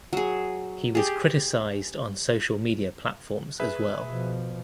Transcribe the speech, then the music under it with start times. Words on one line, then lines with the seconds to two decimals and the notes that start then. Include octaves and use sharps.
He was criticised on social media platforms as well.
0.13 F#3 G#4
0.95 G4 G#4
3.60 G#4 B4 E5
4.08 B2 F3